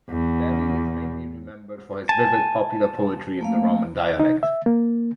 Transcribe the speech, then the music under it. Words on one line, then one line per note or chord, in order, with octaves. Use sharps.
Belli is mainly remembered for his vivid popular poetry in the Roman dialect.
E2
G#5 A5
A3 A#3 F5
D#4
E5
A#3